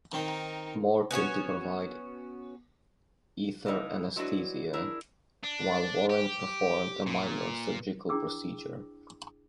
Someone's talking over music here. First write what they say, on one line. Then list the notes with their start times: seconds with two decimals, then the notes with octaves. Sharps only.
Morton to provide ether anesthesia while Warren performed a minor surgical procedure.
0.13 D#3 C4 D#4 A#4
1.11 B3 C#4 F#4 C#5
3.66 A2 C#3 A3 D#4 E4
4.16 F#3 G#3 D4 E4 F#4 B4
4.73 D4 E4 G#4 A#4
5.43 D4
6.10 G4
7.06 A#2
8.09 D4 E4 G#4 G5 D6 E6